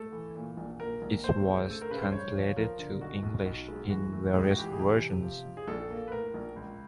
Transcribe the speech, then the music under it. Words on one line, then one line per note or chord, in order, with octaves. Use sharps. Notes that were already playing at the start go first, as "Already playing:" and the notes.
It was translated to English in various versions.
Already playing: A3 A4
E3
A#2
A#1
A#2 A#4
A#1
A3 C5
C#3
A3 A4
A#4
C#3 B4
C5
G2 C#5
F3
F3 A#4
D3
B1 F#4
B1
B1
G#3
E3 F#4
A3
C#2 G#4
G4
F#4
E3 G4
G#4
C3 G4
C3
F3
F2
G#4
A#1 A4
A#3
B4
A2 A#4
A#1
C#2